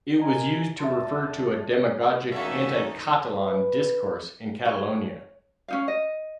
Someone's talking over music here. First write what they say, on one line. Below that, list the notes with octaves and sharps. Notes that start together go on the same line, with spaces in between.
It was used to refer to a demagogic anti-Catalan discourse in Catalonia.
C3 A#4 D#5 G#5 A#5
E2 D#5 E5 A5 C6
C#5
E2 A3 A#3 C#4 D#4 F#4 A4 E5
B4
C#5
C#4 D#4 F5
D#5